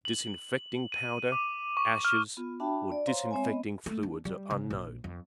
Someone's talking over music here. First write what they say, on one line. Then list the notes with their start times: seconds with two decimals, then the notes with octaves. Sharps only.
Disinfecting powder, ashes, or disinfecting fluids are unknown.
0.05 F#7
0.92 D#7
1.32 D6
1.77 C#6
2.05 F6
2.37 B3 F4
2.60 D4 F#4 E5 G5 A5 B5
2.92 D5
3.06 C5 C#5 F5 A#5 C6
3.31 G#3 C4 C#5 E5 G#5
3.44 B3 D#5
3.86 A3
4.03 D4
4.25 G3
4.51 C#3
4.70 A#1
5.04 F2